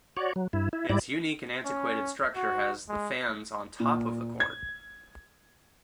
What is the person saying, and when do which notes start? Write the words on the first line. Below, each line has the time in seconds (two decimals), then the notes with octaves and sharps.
Its unique and antiquated structure has the fans on top of the court.
0.17 F#4 C#5 D5
0.36 F#3
0.53 G2 E4
0.73 E4
0.89 G#2 G3 E4 D5
1.65 C#4
2.36 F#4
2.89 G#3
3.80 A#2
4.40 G#6